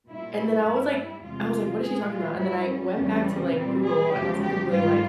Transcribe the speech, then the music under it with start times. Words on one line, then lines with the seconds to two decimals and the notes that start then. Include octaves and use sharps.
And then I was like I was like, "What is she talking about?" And then I went back to, like, Google and I was like googling, like,
0.08 A#2 G3 E4
0.66 G2 G3 E4
1.23 E2 C3 F3 G#3 F4
1.81 A#2 G#3 G#4
2.10 F4
2.39 G2 G3 E4
2.67 C#4
2.97 E2 C#3 G3
3.54 A#2 G3 C4
3.83 G#4
4.11 E2 C#3 F3 G#3 G4
4.40 G4
4.69 G#2 G3 F4